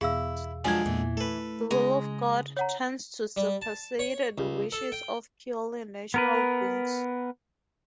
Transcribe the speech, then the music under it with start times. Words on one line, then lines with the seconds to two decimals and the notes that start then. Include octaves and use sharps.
The will of God tends to supersede the wishes of purely natural beings.
0.01 E2 B2 E4 G#4 F5 E6
0.65 D3 F3 F#3 G#3 G5 G#5 G#6
0.86 E2 A#2 E3
1.17 A3 A4 B4
1.71 C#3 G#3 G#4 A#5
2.57 C#5 F#5 A#5
3.37 G3
3.62 A5
3.99 C#5
4.38 C#2
4.72 A4
4.92 G5
6.14 B3 A#4 B4